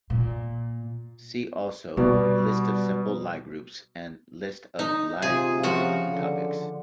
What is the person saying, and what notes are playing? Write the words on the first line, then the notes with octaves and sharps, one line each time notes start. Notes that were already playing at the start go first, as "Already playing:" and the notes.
See also: List of simple Lie groups and List of Lie group topics.
A#2
B2 G3 B3 D5
D#4
C3 F4 G#4
C#3 F3 F#4 F#5
D3